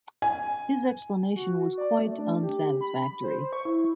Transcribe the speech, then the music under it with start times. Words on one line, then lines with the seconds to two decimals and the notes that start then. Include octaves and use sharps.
His explanation was quite unsatisfactory.
0.22 G#5
1.36 F#4
1.78 D5
1.99 A3
2.18 D4
2.43 G4
2.81 B5
3.24 C5
3.53 C#6
3.65 E4